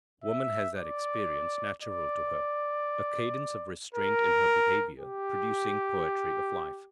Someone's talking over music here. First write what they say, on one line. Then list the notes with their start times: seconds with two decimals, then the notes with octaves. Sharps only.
Woman has that expression natural to her--a cadence of restraint in her behaviour, producing poetry of life.
0.24 E5
0.77 D5
1.83 D5
3.94 A#4
5.00 G4